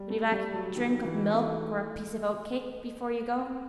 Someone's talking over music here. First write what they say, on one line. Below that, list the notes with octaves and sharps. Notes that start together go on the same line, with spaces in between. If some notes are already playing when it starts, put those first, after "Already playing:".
"Would you like a drink of milk or a piece of oatcake before you go?"
Already playing: G3
A3
G3
F#3
D#3
E3
A3
C4